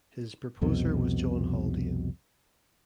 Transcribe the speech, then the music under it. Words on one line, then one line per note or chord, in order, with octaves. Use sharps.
His proposer was John Haldane.
C2 F2 B2